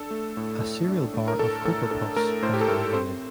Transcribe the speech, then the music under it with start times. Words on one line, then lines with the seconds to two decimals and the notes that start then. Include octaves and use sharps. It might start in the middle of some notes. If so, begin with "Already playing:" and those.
A cereal bar of Cocoa Puffs has been made.
Already playing: D4 A4
0.11 A3
0.37 A2
0.63 A2
0.88 D4
1.14 A3
1.28 A#4
1.39 A2 A4
1.65 A2 A4
1.91 D4 A4
2.16 A3 A#4
2.42 A2 C5
2.54 G4
2.61 A4
2.68 A2 A#4
2.93 C4 C5